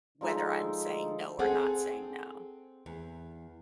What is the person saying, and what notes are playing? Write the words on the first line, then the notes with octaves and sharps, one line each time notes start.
whether I'm saying no or not saying no,
F3 G#3 D#4 A4
C4 G#4 A4 F#5
E2